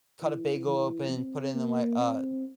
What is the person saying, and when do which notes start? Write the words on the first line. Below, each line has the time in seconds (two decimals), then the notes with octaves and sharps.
cut a bagel open, put it in my, uh,
0.22 E3
0.67 E3
1.10 C4
1.55 A#3
1.99 C4